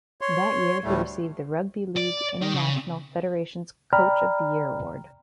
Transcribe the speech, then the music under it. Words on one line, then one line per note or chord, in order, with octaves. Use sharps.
That year he received the Rugby League International Federation's coach of the year award.
C#5 C6
D2 A2 G3 A3
D5
D#3
C#3
D5 G5 A#5 B5 F6